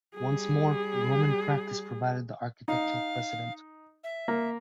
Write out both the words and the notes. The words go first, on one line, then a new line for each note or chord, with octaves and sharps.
Once more, Roman practice provided the architectural precedent.
G3 G#4
D#4 F5
E5
A#3